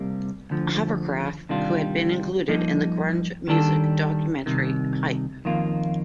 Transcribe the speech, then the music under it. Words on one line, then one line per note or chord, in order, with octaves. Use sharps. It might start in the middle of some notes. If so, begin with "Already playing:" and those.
Hovercraft, who had been included in the grunge music documentary Hype!
Already playing: C2 C3 G3 A#3
D2 D3 F3
C3 D#3 G3 D4 F4
G2 F3 A#3 D#4
D#2 D#3 G3 D4 A4
C2 C3 D#3
F2 D#3 A#3 F4